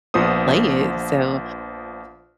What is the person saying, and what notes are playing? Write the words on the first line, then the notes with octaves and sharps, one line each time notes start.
play it, so
A#1 F3 B3 C5 D#6